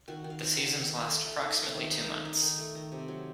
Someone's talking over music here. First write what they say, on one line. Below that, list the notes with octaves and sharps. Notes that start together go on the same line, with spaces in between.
The seasons last approximately two months.
D#3 F#4
D#3
F5
D#4
F5 F#5
D#3
D#3
D#4
A3
A3
D#4 A5
A3
D#3
D#4
D#3
D#4
D#3
A3
D#3 A#5
C3
F#3